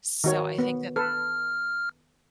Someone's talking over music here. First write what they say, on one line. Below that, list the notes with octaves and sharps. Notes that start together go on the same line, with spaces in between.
so I think that
D#3 F#4 C#5
B3
A4 B4 F6